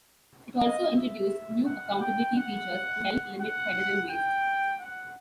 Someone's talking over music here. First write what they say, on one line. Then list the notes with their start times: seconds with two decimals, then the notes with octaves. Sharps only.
It also introduced new accountability features to help limit federal waste.
0.61 D#5
0.96 E5
1.66 F#5
2.00 G5
2.36 F#5
3.41 F#5
4.09 G5
4.79 F#5